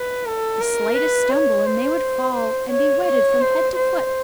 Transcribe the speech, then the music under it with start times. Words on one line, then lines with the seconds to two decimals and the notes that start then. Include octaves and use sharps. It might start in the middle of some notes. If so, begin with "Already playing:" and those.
The slightest stumble and they would fall, and be wetted from head to foot.
Already playing: B4
0.26 A4
0.60 A#4
0.95 B4
1.30 C#5
1.65 C5
2.36 C5
2.71 C#5
3.05 C#5
3.41 C5
3.76 C5